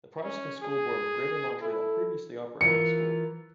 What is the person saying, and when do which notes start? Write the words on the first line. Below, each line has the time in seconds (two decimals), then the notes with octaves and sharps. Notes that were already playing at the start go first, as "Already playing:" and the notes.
The Protestant School Board of Greater Montreal previously operated the school.
0.23 C#4
0.63 G#4
1.62 E4 A4
2.61 E3 F4 A#4 C#7